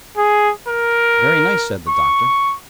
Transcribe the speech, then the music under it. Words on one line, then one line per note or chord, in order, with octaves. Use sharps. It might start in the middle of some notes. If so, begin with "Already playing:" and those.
"Very nice," said the Doctor.
G#4
A#4
C#6